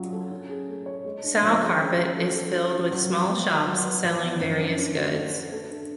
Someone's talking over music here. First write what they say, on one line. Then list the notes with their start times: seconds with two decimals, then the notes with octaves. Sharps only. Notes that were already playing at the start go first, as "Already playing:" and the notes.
Sowcarpet is filled with small shops selling various goods.
Already playing: F#3 C#4 F4
0.13 A4
0.31 C#4
0.49 G#4
0.68 A3
0.86 C#5
1.05 G#3
1.24 D4
1.42 F3
1.61 G#4
1.80 C#4
1.98 F#4
2.16 A3
2.35 A4
2.53 C#4
2.72 F4
2.91 F#3
3.10 F#3
3.28 B3
3.47 F#4
3.66 F#3
3.85 B4
4.04 F3
4.22 B3
4.40 F#2
4.59 D4
4.77 C#4
4.96 F#4
5.14 A3
5.33 B4
5.52 A3
5.70 D4